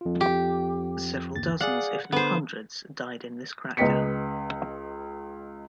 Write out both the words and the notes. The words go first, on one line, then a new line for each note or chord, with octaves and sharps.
Several dozens, if not hundreds, died in this crackdown.
F2 F4
G4
G1 D#2 A6
G#4 D5 F5 F#5
D3 B3 C5
C#2 B4 D#5 G5 B6 C#7